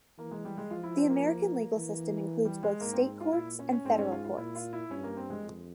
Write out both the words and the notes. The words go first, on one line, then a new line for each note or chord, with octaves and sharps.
The American legal system includes both state courts and federal courts.
E3 A#3
G#3
G3
G#3
F3 F4
E4
C4
A#3
E3
G3
G#3
G#2 A#3
C4
F4
A#2 E4
C#4
C#4
G#2 C4
C#4
F4
F4
A#2 E4
F4
E4
G2 C#4
A#3
C4
G#3
F2